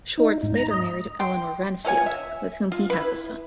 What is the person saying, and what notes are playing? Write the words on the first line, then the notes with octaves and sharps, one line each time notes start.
Schwartz later married Elinor Renfield, with whom he has a son.
D#4
G#2
A#5
D#5
G5 C6
A3 F4 C#5 G#5
E5
F4
E4 B4